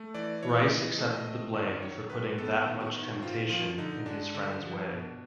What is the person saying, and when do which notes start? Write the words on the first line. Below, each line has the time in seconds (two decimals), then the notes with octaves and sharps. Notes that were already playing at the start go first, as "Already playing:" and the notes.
Rice accepted the blame for putting "that much temptation" in his friend's way.
Already playing: A3
0.14 E3 D5
0.43 E3 C#5
0.70 E3 D#5
0.98 A3
1.12 D#5
1.26 C4
1.54 D#3 D5
1.82 F#3 C#5
2.10 D#3 B4
2.38 B3 A4
2.66 D#3
2.80 F#4
2.95 D#3
3.21 C4 F4
3.49 F3 F4
3.78 D3 D#4
4.06 G#3 D4
4.34 D3
4.61 F3
4.90 B2